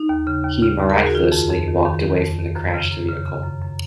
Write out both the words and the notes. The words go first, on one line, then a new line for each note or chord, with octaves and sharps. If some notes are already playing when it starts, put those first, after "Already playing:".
He miraculously walked away from the crashed vehicle.
Already playing: D#4
D#2
C#3
D#2
C#3
D#2
A#4
D#2 G#4
F#4
D#3 F4
F2
F2
D#3
D#3
D#3
F2
D#3
F#2
C#3
F#2
C#3
C#3
F#2
F#2